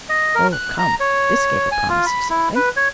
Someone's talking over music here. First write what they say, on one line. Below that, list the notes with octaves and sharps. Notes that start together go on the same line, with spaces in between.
Oh come! this gave a promise of something.
D#5
A#4
F#6
A#5
C#5
G#5
F4
B5
E4
B4
C#5